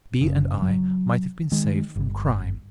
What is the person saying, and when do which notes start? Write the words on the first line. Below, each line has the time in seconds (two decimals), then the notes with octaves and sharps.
B. and I might have been saved from crime.
0.21 F#1 C#3
0.62 F#3
1.52 D#3 G#3
1.96 G1